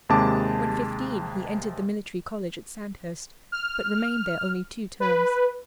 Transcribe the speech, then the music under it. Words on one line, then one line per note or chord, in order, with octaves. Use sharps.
When fifteen, he entered the Military College at Sandhurst, but remained there only two terms.
D#2 C3 G#3 A5 D6
F6
B4